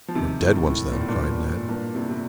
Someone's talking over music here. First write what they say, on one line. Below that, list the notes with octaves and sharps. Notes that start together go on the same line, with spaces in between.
"We're dead ones, then!" cried Ned.
F3
C3 D#3
A2
A2
A#2
A2
G2 A#2
G2 A#2
A2 C3
C3